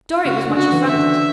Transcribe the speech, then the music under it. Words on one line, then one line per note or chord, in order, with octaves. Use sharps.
Dorry was much affronted.
C#3 F#4
D3
F#4
E3
E5
D3